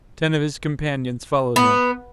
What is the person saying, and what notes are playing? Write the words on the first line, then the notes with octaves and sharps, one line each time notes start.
Ten of his companions followed him.
B3